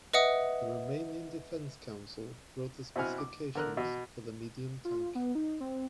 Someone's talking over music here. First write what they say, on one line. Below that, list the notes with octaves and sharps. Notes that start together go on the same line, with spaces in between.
The Romanian Defense Council wrote the specifications for the medium tank.
B4 D#5 E5 F#5 D#6
B2 C4 E4 F#5 G#5 F6
D6
D3 A#4 F#6
B2
F4
B3
D#4
C4